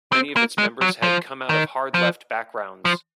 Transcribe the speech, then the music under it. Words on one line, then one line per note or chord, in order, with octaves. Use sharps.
Many of its members had come out of hard left backgrounds.
C4
A#3
G#3
F#3
F3
D#3
F3
F3